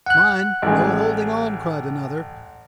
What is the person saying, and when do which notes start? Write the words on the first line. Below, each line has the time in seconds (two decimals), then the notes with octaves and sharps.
"Mind, no holding on!" cried another.
0.06 F#5 F#6
0.62 A1 G#3 G#4